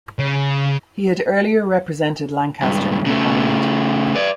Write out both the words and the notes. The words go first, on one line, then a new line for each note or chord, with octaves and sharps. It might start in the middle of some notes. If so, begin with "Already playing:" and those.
He had earlier represented Lancaster in Parliament.
C#3
C#2 G2
C#3 A3
B4 D5